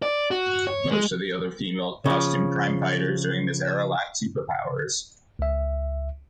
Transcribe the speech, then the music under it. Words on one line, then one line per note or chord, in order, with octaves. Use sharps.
Most of the other female costumed crime-fighters during this era lacked superpowers.
D5
F#4
C#5
G#3
C#3 F3
C#2 E5